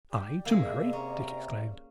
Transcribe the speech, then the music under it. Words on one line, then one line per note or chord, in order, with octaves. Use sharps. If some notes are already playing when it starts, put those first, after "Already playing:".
"I to marry!" Dick exclaimed.
G4 D5
C3 A#3 G#4 E5
C#4 A#5